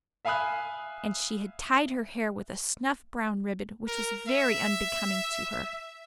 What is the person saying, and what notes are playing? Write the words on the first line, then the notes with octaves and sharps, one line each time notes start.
And she had tied her hair with a snuff-brown ribbon which was very unbecoming to her.
E5 F5 G#5 B5 D#6 F#6
A#4
E5